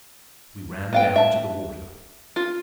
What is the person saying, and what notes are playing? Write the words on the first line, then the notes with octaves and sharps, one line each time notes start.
We ran down to the water.
B3 F5 G5
E5 A5
F4